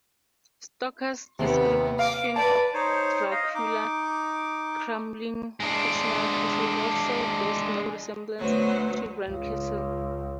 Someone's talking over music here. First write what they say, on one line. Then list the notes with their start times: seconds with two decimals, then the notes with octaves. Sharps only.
Stoker's description of Dracula's crumbling fictional castle also bears no resemblance to Bran Castle.
1.39 D#2 C3 B3
1.99 F5 D6
2.36 B4 D5 A5
2.74 D#4 C5 C#5
3.31 D#5 F5
3.55 D#4 D6
5.60 G#3 D4
8.39 D2 F#3 B3 C5
9.27 C#2